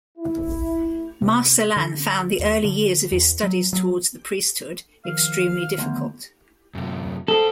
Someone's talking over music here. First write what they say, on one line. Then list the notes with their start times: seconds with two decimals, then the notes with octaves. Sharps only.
Marcellin found the early years of his studies towards the priesthood extremely difficult.
0.18 E4
1.22 C3
1.76 D3
2.39 D#2
2.65 D3
3.12 E2
3.43 F#3
3.73 F#3
5.05 D#3 F3 F5
5.78 D2 B3
6.75 F#2 C3
7.28 D#4 A4 C5